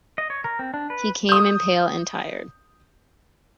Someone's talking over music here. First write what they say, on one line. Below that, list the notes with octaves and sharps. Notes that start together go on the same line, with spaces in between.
He came in pale and tired.
D#5
C#5
A#4
C4
D4
B4
D#6 G6